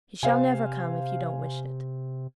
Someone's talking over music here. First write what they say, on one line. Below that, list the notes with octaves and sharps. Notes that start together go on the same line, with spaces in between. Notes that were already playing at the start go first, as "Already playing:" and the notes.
He shall never come, if you don't wish it.'
C3 C5 F5 G#5